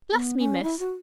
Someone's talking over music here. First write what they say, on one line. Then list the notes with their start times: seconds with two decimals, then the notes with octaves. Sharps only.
'Bless me, miss!
0.13 B3
0.38 C#4
0.63 E4
0.79 F#4